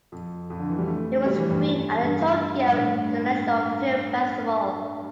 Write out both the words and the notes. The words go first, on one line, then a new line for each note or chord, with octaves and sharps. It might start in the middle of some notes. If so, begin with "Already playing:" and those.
It was screened at the Tokyo International Film Festival.
F2
F2
D3
E3
G3
A3
G3
E3
G2
G2
G2
A2